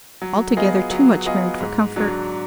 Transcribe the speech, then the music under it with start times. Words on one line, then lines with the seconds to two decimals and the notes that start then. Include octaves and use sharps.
Altogether too much married for comfort.
0.22 F#3
0.57 B3 F4 G#4 D#5
0.91 F#3
1.25 B3 F4 G#4 D#5
1.61 G#2
1.96 F#3 D4 F#4 D5